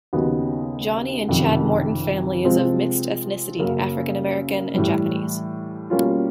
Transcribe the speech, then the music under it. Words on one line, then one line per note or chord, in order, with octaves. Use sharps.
Johnnie and Chad Morton family is of mixed ethnicity, African-American and Japanese.
D#2 C#3 F#3 B3 D#4
F#1 F2 C3 D#3
C3 F3 G#3 C4
F#2 C#3 F#3 A#3
A2 E3 G3
B2 G3 A#3 C#4 F4